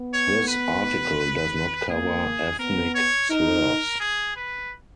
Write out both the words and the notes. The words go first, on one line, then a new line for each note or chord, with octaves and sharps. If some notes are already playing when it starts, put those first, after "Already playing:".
This article does not cover ethnic slurs.
Already playing: B3
C#5
B4
A#3 G#4
B3 A#4
C#5
D#4 A#4
G#4
B4